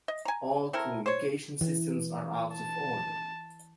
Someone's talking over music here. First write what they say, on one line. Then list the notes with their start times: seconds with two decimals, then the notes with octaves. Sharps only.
All communication systems are out of order.
0.08 D#5
0.25 G#5 A#5
0.73 C4 E4 A4 A#4
1.06 C5 C#5
1.61 E3
2.55 A5